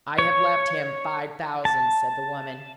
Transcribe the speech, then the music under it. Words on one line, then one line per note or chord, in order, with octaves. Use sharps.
"I have left him five thousand," said the woman.
C#5
A5